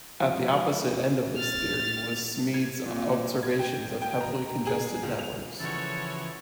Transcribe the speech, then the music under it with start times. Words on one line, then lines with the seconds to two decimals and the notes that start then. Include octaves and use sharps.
At the opposite end of this theory was Smeed's observations of heavily congested networks.
0.21 F3 G#3
1.37 F6 A6
2.54 G#6
2.86 A#2
3.43 G#6
3.59 G5
4.02 G5
4.21 A#5
4.67 G#4
5.03 C#2
5.19 F7
5.60 C#3 E3 F3 F#4 A4 C#5